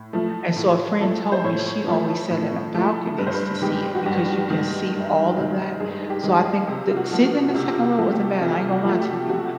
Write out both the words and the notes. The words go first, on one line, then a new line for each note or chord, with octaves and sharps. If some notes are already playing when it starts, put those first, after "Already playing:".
and so a friend told me she always sat in a balcony to see it because you can see all of that so I think that sitting in the second row wasn't bad I ain't gonna lie to you
Already playing: A2
F3 A3
A2
F3 A3
C5
A2 C#5
F3 A3
A2
F3 A3
G2 B4
C5
B4
D#3 G#3 G4
F#4
G2 G4
D#3 G#3
G2
D#3 G#3
G2 G#4
G4
D#3 G#3
G#4
C3 G#4
F4
F#4
F3 A3
F#4
F#4
C3 F4
F#4
F3 A3
G4
C3 F4
F#4
F3 A3
G4
C3 F#4